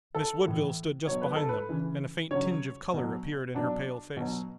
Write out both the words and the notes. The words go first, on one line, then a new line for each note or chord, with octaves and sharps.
Miss Woodville stood just behind them, and a faint tinge of color appeared in her pale face.
A4
A2 E3
B2 F#3 C#5
B4
A4
B4
C#3 E3
C#3 F#3 C#5
B2 F#3
B2 F#3 D4
B2 F#3